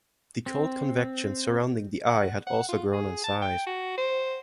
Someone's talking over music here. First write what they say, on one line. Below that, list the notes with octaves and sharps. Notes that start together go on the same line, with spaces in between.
The cold convection surrounding the eye had also grown in size.
C4
F#5
F#5
F4
G#4
A5
G5
F#4
C5